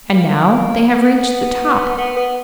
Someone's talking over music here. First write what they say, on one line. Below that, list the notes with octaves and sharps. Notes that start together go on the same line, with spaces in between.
And now they have reached the top.
A#3
B3
B3
B3